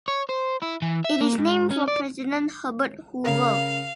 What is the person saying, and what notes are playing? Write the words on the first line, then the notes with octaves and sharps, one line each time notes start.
It is named for president Herbert Hoover.
C#5
C5
E4
E3
E5
A#3
G#2
C#4
D5
C#3 A#4 F5